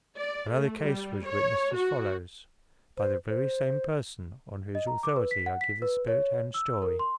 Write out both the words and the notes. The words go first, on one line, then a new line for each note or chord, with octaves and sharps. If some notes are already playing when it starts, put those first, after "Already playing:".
Another case was witnessed as follows, by the very same person on whose authority I give the spirit-hand story.
D5
A3
G3
C#5
F#4
C5
C5
D#5
A#5
D6
B4
B6
F#5
B6
B4
C#5
E6
A#4
C6